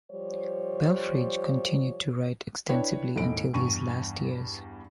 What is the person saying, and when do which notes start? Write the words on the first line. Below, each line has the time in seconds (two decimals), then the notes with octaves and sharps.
Belfrage continued to write extensively until his last years.
0.10 F3 G3 C5 C#5
2.69 D4 E4 B4 C#5 G5
3.16 E1 A2 D#4 D7
3.53 E2 G2 C#6 D#7